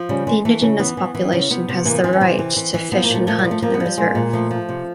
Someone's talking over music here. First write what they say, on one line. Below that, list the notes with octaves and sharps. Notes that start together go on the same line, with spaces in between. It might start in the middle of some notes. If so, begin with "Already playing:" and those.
The indigenous population has the right to fish and hunt in the reserve.
Already playing: F3
C#3 G3
E3 G#3
E3 A3
C#3
E3 B3
E3
E3
C#3
C3 B3
C3
E3 A#3
B3
E3 C4
C#4
C3 C4
E3
E3
E3
F3 B3
A#3
A#2 A3
F3 A3
G3
F3
A3
F3 A#3
B3
F3
G3
A#2 G#3
A#2
F3 A3
F3
C3